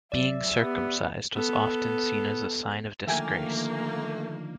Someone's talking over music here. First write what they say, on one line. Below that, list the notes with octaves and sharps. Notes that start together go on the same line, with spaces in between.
Being circumcised was often seen as a sign of disgrace.
F#3 D5 E5
B3 G4
B3 A4
D3 D#3 F3 A3 A#3 E5 G5 G#5